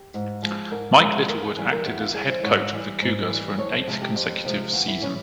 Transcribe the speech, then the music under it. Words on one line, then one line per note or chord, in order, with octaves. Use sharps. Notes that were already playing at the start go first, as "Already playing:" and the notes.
Mike Littlewood acted as head coach of the Cougars for an eighth consecutive season.
Already playing: G4
G#2
F3 G#3
G#2 A#4
F3 G#3 A#4
E2 A#4
G4
E3 G3 G#4
A#4
E2 G4
F4
E3 G3 G#4
C5
G#2 C#5
E3 G3
G#2
E3 G3
F2 C#5
C5
C3 F3 G#3
G4
F2
C3 F3 G#3
E2 F4
E4
E3 G3 C#4